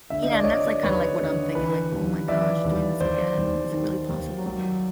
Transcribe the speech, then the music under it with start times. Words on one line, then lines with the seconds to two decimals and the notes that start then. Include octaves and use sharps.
Yeah, and that's, like, kind of, like, what I'm thinking, like, "Oh my gosh, doing this again, is it really possible?"
0.10 D3 E5
0.22 D#5
0.33 D5
0.44 D3 C#5 D#5
0.83 D#2 B4 C#5
1.20 D3
1.55 E3 B4
1.92 D#2
2.28 E3 D5 E5
2.65 D#2
3.00 D#2 C5 D5
3.37 D#2
3.73 D#3
4.09 D#2
4.46 F#3